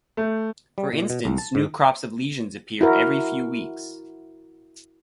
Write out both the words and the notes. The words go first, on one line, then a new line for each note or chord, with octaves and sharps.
For instance, new crops of lesions appear every few weeks.
A3
G3
A#2
B2
C2
A5
G#2
E4 F#4 A#4